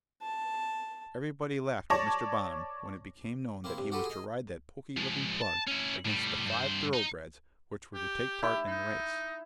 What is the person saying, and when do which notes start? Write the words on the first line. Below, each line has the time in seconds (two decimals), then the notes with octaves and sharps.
Everybody laughed at Mr. Bonham when it became known that he was to ride that poky-looking plug against the five thoroughbreds which were to take part in the race.
0.22 A5
1.90 C#5 D5 A5 C#6 D6 A#6
3.64 A#3 C4 E4 C5
3.78 G2 C3
3.92 F#4 G4 A4 B4 C5
4.05 G#4 D#5
4.97 F3 G#3
5.41 A5
5.67 C#4 E4
6.06 A2 G3
6.46 G2 C5
6.93 D#4
7.94 G4
8.43 E4 G4
8.67 D#4